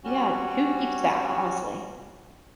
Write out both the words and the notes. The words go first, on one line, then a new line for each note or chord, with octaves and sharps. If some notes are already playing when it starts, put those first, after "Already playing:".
Yeah, who keeps that, ho honestly?
G3 C#4 F#4